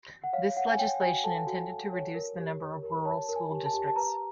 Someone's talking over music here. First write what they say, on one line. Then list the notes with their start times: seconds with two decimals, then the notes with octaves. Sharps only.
This legislation intended to reduce the number of rural school districts.
0.24 F#5
0.33 C#5 F5
0.56 C#5 F#5
0.71 G#5
0.79 C#5 G5
1.02 F#4 G#5
1.24 A4 A5
1.47 F#4
1.69 F#4
1.93 C#5
2.14 A#4
2.38 G4
2.61 C#5
2.83 A#4
3.05 C#5 A5
3.29 A#4
3.36 G#5
3.51 G4
3.66 A5
3.74 G4
3.88 A5
3.96 B4 A#5